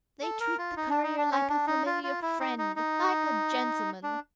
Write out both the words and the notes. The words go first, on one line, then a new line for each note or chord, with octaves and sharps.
They treat the courier like a familiar friend--like a gentleman.
A4
A#4
F4
D#4
D4
D#4
D4
C#4
D4
D#4
F4
F4
E4
D#4
D#4
D#4
D4